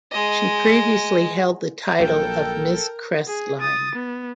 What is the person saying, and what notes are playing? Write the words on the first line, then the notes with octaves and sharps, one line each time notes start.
She previously held the title of "Miss Crestline".
G#3 D#5
A#1 F#3 A4 A#4 G5
G#4
D#6 A6
B3